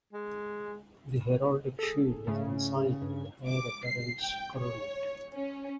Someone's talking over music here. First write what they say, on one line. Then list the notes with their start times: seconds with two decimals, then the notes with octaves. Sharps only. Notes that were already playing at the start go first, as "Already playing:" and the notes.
The heraldic shield is ensigned with the Heir Apparent's coronet.
0.13 G#3
1.79 G#4 A4
2.27 G#2 C#3 A3 E4
3.02 G2
3.48 D6
3.86 C7
4.23 G5
4.56 C#5
5.35 C#4